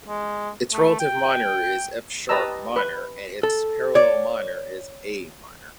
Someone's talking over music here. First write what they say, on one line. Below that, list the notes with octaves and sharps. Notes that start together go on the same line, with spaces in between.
Its relative minor is F-sharp minor and its parallel minor is A minor.
G#3
A3
G5
G4 B4 D#5 A5 A#5 E6
B4
A4
C#5 D5